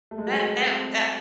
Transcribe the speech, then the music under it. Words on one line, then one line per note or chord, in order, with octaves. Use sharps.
That that that
A3
G#3
F#3
G#3
C4